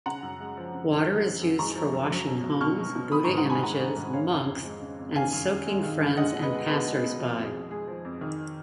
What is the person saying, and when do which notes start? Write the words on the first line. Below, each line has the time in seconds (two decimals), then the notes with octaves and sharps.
Water is used for washing homes, Buddha images, monks, and soaking friends and passers-by.
0.06 C#3 F#5 A#5
0.23 F#2
0.40 G#3
0.57 F3
0.74 C#3
0.91 F#2
1.08 F3
1.25 F#2
1.42 F#2
1.59 G#3 A#5 C#6
1.75 F3
1.93 F#2
2.10 F#3
2.27 B2
2.44 F#3
2.61 B2 C#6 F6
2.78 F#3
2.95 B2
3.12 D#3 B5 D#6
3.24 G#2 A#5 C#6
3.37 F#5 A#5
3.45 G#2 G#5 B5
3.62 G#3 F#5 A#5
3.80 D#3
3.96 G#2
4.13 C#3 C#5 F5
4.31 F2
4.48 F2
4.65 G#3
4.82 C#3
4.99 F2
5.16 D#3 F5 G#5
5.33 F#2
5.50 F#2
5.67 G#3
5.83 D#3
6.00 F#2
6.17 G#3 D#5 F#5
6.35 B2
6.43 B4 D#5
6.52 G#3
6.69 B2 G#4 B4
6.86 G#3
7.03 B2
7.19 F3 F#4
7.37 F2
7.45 G#4
7.54 F2
7.71 G#3 G#4
7.87 F3
8.05 F2
8.21 D#3